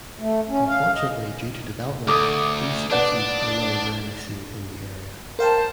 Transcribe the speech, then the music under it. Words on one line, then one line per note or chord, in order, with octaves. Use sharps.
Unfortunately due to development these species are now rarely seen in the area.
A3
C#4
F5
D#5
D2 A4 D6 D#6
D4 B4 D5 F#5
A#4 C5 F5 G5 A5